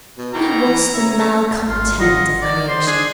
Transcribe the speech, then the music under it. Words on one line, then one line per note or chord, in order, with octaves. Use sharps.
He was the malcontent of creation.
B2
D2 G#2 D#3 E4 A#5
E3
C#3 E3 C#5 E5
G#1 F4
F4 D#5 F#5
D#3 D5
C5
D4 G#4